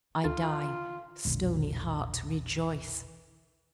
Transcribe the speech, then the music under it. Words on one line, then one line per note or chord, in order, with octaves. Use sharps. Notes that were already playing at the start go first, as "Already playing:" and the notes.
I die; stony heart, rejoice!
D2 F4 A4
E1 A#1 D3